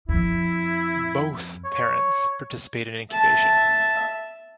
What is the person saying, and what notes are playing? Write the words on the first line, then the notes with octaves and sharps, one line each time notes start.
Both parents participate in incubation.
F2 E4
C#5
E5 A5